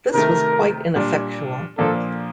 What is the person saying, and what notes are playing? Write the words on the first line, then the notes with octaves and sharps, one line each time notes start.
This was quite ineffectual.
C3 D#3 A3 A#4
A#2 G3 D4
A#2 F3 A#3 D4 A4